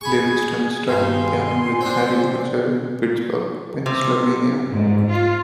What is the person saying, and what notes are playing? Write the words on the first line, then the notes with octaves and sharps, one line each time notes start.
Livingston studied piano with Harry Archer in Pittsburgh, Pennsylvania.
G#4 G#5 B5 C#6
G2 D#3 G#5 C6
C4 D4
C3
G#2
F4